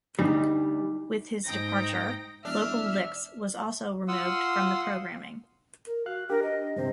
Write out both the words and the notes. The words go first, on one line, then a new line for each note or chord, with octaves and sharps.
With his departure, "Local Licks" was also removed from the programming.
D2 G3 D#4
G#2 D#4 G5 A#6
E1 D4 E5 F6
F4 F5 F#5 C6 D#6 E6
A#4
F#4 F5 F#6
D4 G4 A#4
D#5
G2 C3 C5